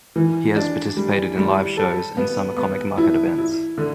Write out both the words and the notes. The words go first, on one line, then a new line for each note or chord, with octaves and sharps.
He has participated in live shows and summer comic market events.
E3
D4
G3
G3
A4
B3
B3
E4
E4
D3